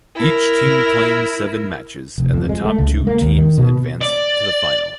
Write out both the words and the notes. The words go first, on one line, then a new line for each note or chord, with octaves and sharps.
Each team playing seven matches and the top two teams advanced to the final.
E4 A#4
F1
F2
G#3
A3
C#2
A#3
D#2
D#3
B2
D5